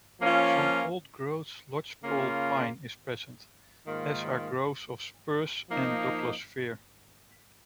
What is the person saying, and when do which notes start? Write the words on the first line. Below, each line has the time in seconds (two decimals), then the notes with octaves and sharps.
Some old-growth lodgepole pine is present, as are groves of spruce and douglas-fir.
0.20 F3 A#3 C#4 F4
2.03 C#3 A#3 C#4 F4
3.86 G#2 D#3 A#3 F4
5.69 F3 A#3 D#4